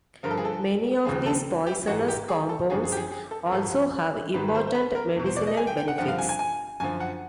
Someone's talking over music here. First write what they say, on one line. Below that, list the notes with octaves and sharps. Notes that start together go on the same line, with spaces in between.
Many of these poisonous compounds also have important medicinal benefits.
G2 D3 F3 A#4
A4
G#4
A4
D#2 C#3 F3 G#4
A4
G4
G#2 E3 F#4
G4
G#4
A4
F#2 D3 F3 G#4
G#4
G4
G#4
G#4
A4
A#4
G#2 F3 A4
G#2 D#3 B4
B4
C5
C5
B4
A#4
E2 B2
C5
D5
D#5
G#5
G5
G5
F#5
G2 D3 F3 F#5
F5
G#5
G#5
G#5
F#2 D3 F3 G#5
F#5